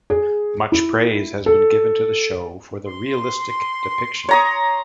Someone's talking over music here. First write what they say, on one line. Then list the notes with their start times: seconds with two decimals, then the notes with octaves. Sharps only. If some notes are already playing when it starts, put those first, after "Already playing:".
Much praise has been given to the show for the realistic depiction.
0.10 G#4
0.72 E4
1.46 A4
2.85 C6
4.29 C#5 A#5 D#6